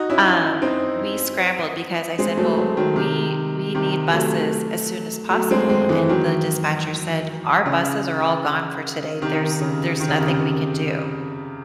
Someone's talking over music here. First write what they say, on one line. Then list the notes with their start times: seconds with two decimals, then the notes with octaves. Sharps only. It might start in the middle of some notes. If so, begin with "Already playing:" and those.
um we scrambled because I said, "Well, we we need buses as soon as possible," and the dispatcher said, "Our buses are all gone for today. There's there's nothing we can do."
Already playing: D#4 F#4
0.10 C#4 E4
0.62 C4 D#4
2.19 G#3 C4
2.37 F#3 A3
2.57 F#3 A3
2.77 D#3 F#3
2.96 C3 D#3
3.75 C3 D#3
4.13 F#3 A3
5.30 F#3 A3
5.51 G#3 C4
5.69 G#3 C4
5.89 E3 G#3
6.09 D#3 F#3
7.66 C#3
9.21 C3 D#3
9.61 C#3
10.00 D#3
10.08 C#3
10.17 C3
10.26 C#3